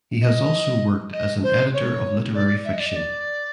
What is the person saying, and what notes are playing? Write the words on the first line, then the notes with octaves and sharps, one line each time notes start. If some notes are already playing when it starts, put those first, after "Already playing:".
He has also worked as an editor of literary fiction.
D#5
D#5
C5
C#5
D5
E5
D#5
D5
D#5
D5